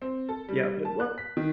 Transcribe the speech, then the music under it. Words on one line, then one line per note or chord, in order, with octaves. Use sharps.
Yeah. But what
C4
A4
G3
A5
F#6
B6
D#3